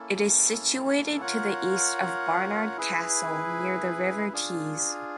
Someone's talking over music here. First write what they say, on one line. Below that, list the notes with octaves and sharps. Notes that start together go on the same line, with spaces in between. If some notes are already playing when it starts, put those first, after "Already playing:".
It is situated to the east of Barnard Castle near the River Tees.
Already playing: A#3 C#4 E4 A4
F4 A#4 C#5 F#5
E4 G#4 B4
D4 F4 G#4